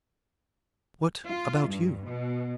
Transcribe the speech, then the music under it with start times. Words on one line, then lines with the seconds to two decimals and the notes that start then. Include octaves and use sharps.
What about you?
1.24 F4
1.66 G2
2.05 B2